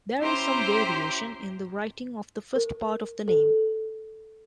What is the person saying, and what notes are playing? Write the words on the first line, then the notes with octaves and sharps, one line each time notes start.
There is some variation in the writing of the first part of the name.
C#4 E4 G4 C5 A#5 C6
A#4
A4